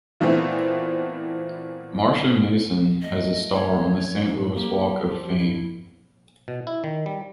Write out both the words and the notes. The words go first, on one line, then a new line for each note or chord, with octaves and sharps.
Marsha Mason has a star on the Saint Louis Walk of Fame.
A#2 E3 A3 B3 C4
A3 D#5
C#5
A2 D4
A#3 G4
F3
G2 E4
B2
E4
D#3
G3